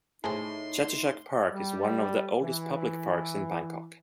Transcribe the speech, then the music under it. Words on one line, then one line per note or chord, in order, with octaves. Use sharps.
Chatuchak park is one of the oldest public parks in Bangkok.
A2 D#4 G#4 A4 C5 C6
G3
E3